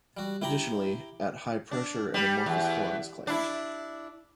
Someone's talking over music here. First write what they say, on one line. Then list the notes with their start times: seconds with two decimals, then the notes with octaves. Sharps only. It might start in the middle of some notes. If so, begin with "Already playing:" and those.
Additionally at high pressure an amorphous form is claimed.
0.17 G3 F#4
0.42 E4 G4 G5 A#5 B5
1.71 D4
2.14 G3
2.46 E2
3.27 D4 E4